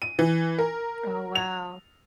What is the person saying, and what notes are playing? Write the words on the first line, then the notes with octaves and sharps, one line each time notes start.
Oh, wow.
D#7
E3
A#4
F7